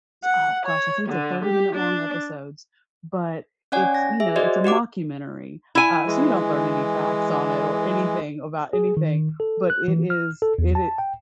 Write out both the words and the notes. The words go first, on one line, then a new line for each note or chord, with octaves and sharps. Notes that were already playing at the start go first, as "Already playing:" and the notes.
oh gosh, I think they're thirty-minute-long episodes, but it's, you know, it's a mockumentary, uh, so you don't learn any facts on it or anything about anything, But it is it i
F#5
C#5
D3
G4
D4
C#4 C#5 D5 F#5 G#5
A#6
G#4 E5
F#4 C5 D5 D#5
F#4 G4 F#5 D6
E4 G#5
E3 G#3
G#4
D#3
A4
F#6
E3
F6
A4
E2
A5
G5